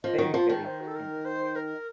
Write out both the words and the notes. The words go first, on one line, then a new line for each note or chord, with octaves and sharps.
very, very antisocial.
F3 D#5
D#3 F#5
F3 A5
D#3 A5
C5
F#4
A4
A#4
C5
A#4